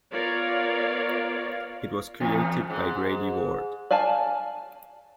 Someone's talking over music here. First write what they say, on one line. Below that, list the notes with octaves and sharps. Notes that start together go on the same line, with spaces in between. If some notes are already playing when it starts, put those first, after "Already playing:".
It was created by Grady Ward.
B3 F4 A#4 C#5 D5 F5
E2
G#2
D5 F5 G#5 A5